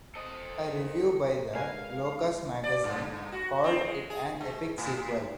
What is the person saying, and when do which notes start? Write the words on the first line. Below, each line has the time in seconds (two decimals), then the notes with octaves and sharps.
A review by the "Locus Magazine" called it an epic sequel.
0.15 A4 C5 D#5
1.55 G#3 A#4 B4 F5 G#5
2.64 D5
2.84 G2
3.32 F#4
3.64 C4
3.81 G#3
4.10 G#4
4.41 G#3
4.78 A2